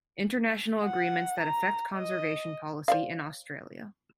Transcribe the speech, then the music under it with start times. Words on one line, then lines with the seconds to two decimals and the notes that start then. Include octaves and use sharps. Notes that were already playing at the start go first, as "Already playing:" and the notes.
International agreements that affect conservation policy in Australia.
0.83 F#5
1.40 A#5
1.94 D#5
2.88 C5 D5 F5